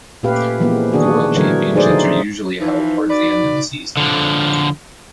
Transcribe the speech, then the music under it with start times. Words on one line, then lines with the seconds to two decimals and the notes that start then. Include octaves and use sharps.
The World Championships are usually held towards the end of the season.
0.23 A#2 A3 C#4 G4 B4 F5
0.60 E3 F3 G#3 A#3 B3
0.93 D#3 D4 F#4 G#4
1.36 D3 E3 F#3 A3 A#4 C#5
1.74 F#3 A3 D#4 G#4 C5 D5
1.87 D3 F3 D#4 F4
2.59 E3 F3 D#4
3.10 F#4 B4 D5
3.97 D3 F3